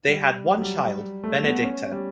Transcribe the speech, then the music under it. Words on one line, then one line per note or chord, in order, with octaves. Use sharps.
They had one child, Benedicta.
G3
G3
F#3
G3
A3
B3
C#4
G3